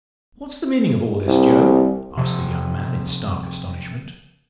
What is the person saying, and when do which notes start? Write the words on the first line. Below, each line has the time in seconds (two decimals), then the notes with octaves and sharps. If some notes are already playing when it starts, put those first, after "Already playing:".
"What's the meaning of all this, Joe?" asks the young man, in stark astonishment.
1.27 C2
2.17 C3 F3